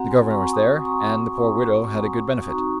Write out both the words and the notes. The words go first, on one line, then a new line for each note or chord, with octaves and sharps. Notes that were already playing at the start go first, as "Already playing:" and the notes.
The Governor was there, and the poor widow had a good benefit.
Already playing: C4 F#4 F#5 A#5
G#5 C6
A#5 C#6
C6 D#6
A#5 C#6
D#6
C4 D#4 F#4 A#5 C#6